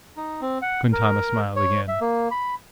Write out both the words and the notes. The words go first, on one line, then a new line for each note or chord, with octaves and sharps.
Quintana smiled again.
D#4
C4
F#5
A#4
C#5
E5
A#3
B5